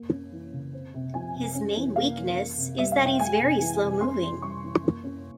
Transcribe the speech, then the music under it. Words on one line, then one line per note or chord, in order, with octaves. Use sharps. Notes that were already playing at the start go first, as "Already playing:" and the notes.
His main weakness is that he's very slow moving.
Already playing: A#3
C#4
E3
C#3
C4
C3
F3 G#5
C3
C#4
E3
A#3 F5
E3
A#3
C3
G3 E5
F5
C3
G5
G#3 G#5
C3
E3
C3
C#4 C6
E3
G3 C#6
E3
A#3
C#4